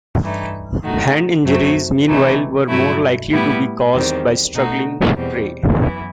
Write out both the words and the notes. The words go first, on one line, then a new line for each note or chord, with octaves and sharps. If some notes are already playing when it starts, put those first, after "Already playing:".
Hand injuries, meanwhile, were more likely to be caused by struggling prey.
G2 E3 A3 D#4
D#3 A3 D#4 F#4
F#2 F#3 A3 C4
C3 E3 A3 D#4
G2 F#3 A3 E4
A2 G3 B3 E4
E2 D#3 G3 C4
B2 A3 D#4 F#4
E2 B2 G3 C4
F#2 E3 B3 E4